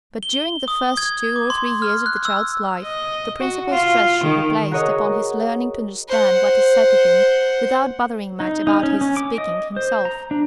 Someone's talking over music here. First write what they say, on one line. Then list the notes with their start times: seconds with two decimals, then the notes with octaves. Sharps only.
But during the first two or three years of the child's life the principal stress should be placed upon his learning to understand what is said to him, without bothering much about his speaking himself.
0.23 G7
0.68 D#6
0.97 G#6
1.36 D6
1.50 C6
1.82 F6
2.06 F#6
2.25 E6
2.83 D#5
3.41 F#4
3.70 F4
4.24 D#3
4.71 F#4 G#4 A#4 C#5 D#5 F#5
6.08 C5 F#5
8.40 D#4
8.67 D#4
8.83 C#4
9.01 C#4
9.17 D6
9.38 D#5
9.76 C5
10.05 A#5
10.31 D4